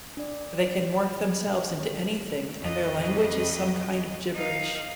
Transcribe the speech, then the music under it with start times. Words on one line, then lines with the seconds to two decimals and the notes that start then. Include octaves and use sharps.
They can morph themselves into anything, and their language is some kind of gibberish.
0.17 D4 D5
2.60 F2 D#5
4.34 D#4 F5